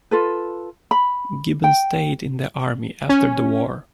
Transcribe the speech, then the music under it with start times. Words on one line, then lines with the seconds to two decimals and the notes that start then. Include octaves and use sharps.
Gibbon stayed in the army after the war.
0.11 F4 A4 B4
0.91 B5
1.64 G5
3.09 C#4